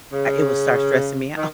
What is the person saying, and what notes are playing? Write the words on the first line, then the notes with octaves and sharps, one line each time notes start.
I it will start stressing me out.
C#3
D#3